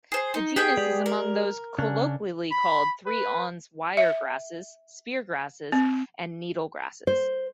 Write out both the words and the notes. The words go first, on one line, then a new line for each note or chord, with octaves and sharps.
This genus is among those colloquially called three-awns wiregrasses, speargrasses and needlegrasses.
G#4 C5
D#4
B3 G4 G#4 G5
G#3 G4 D5
A#4
C#3 C#4 D4
B5
B4
E5
C4
C5